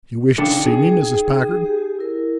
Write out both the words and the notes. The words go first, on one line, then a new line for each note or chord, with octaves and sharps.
"You wish to see me, Mrs. Packard?"
C#3 D4 D#4 A4 G5
G#4
G4
E4 A#4